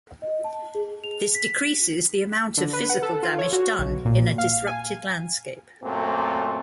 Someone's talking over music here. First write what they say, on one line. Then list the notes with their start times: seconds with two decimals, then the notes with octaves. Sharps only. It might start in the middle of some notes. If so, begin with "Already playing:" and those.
This decreases the amount of physical damage done in a disrupted landscape.
0.22 D#5
0.44 A5
0.75 G#4
1.04 F7
1.35 B6
2.57 D3
2.73 B4
2.89 F#5
3.02 A4
3.23 F4
3.38 C#5
3.53 F#4
3.79 B1
4.05 A#2
4.38 F5
4.67 G#5
5.83 F#2 A#2 A3 C4